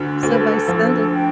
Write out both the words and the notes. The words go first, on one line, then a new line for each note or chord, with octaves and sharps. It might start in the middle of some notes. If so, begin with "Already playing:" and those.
So, by Sunday
Already playing: D2 D3
D2 A4
B4
A4
F3
G5